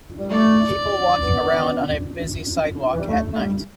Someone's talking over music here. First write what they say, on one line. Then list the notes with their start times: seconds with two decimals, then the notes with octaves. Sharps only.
People walking around on a busy sidewalk at night.
0.18 G3
0.31 A3 D5
1.23 B3
2.93 E3
3.00 G3
3.08 A3
3.33 A3
3.39 G3